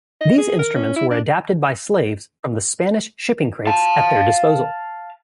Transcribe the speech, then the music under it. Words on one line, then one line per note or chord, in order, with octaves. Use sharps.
These instruments were adapted by slaves from the Spanish shipping crates at their disposal.
D#5
G#4
A#4
C#4
E4
D4
F5 A5